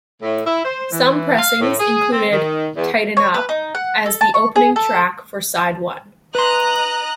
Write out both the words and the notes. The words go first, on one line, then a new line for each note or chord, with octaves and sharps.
Some pressings included "Tighten Up" as the opening track for side one.
A2
E4
C5
E3
F5
A2
G#4
C4
D#3
E2
C#5
B4
D#4
F#5
A4
A5
C#6
G#4
A4
B4 D#5 A#5 C6 F#6